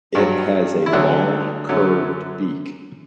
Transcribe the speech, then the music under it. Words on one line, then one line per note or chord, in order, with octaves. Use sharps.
It has a long, curved beak.
G2 F#3 D4
E4
D2 D3 F#3 D4
F#2 D3 F#3